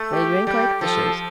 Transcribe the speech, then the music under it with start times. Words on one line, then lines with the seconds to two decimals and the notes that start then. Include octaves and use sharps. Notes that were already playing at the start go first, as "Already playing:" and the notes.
They drank like fishes.
Already playing: A3
0.12 G4
0.47 G3 G4
0.81 F3 A4